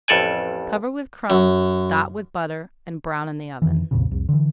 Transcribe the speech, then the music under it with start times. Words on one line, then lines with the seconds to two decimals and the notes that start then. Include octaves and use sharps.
Cover with crumbs, dot with butter, and brown in the oven.
0.08 A1 F2 A4 D5 G#5
1.30 F#2
3.62 F2 D#3 E3
3.91 B1 F2 A#2 C#3
4.11 C2 F2
4.29 D3 E3